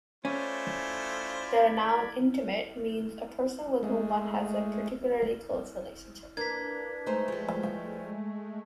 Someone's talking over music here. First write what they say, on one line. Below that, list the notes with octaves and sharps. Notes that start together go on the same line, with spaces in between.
The noun "intimate" means a person with whom one has a particularly close relationship.
A3 C#4 F4 C5 D5 B5 G#6
G#3 A3
A#3 D4 B4 G#6 B6
G#3 A3 D#4 C5
F3 G3